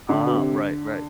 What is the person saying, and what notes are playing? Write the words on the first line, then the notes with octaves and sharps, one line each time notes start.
Uh-huh. Right, right.
D3
B2
C3